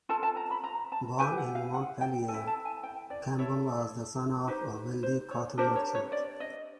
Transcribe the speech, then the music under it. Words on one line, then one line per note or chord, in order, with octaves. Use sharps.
Born in Montpellier, Cambon was the son of a wealthy cotton merchant.
F4 A4 A5
A5
A#5
B5
A#5
A5
E4 G4 B4 G#5
F#5
F5
F#5
G5
A4 G#5
E4
A5
G#5
G5
D5
E4 A4 C#5
D#4 G4 B4 C5
C5
C#5
D4 G4 A#4 C5
C#5
C#5
D5
D#5